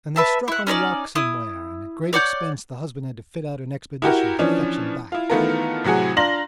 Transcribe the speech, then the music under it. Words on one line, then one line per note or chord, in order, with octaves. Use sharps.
And they struck on a rock somewhere, and, at great expense, the husband had to fit out an expedition to fetch him back.
B4 E5 A5
E4 F#5
C#4 D#4 C#5 D5
E4 D#6
C#5 D5 F#5 G6
E4 F#4 G4 A#4
E3 F3 C#4 D4
E4 F4
D#3 E3 A3 B3 F4 A#4
A2 C3 F#3 F#4 G#4
D4 F4 A#5 C6 A#6 F#7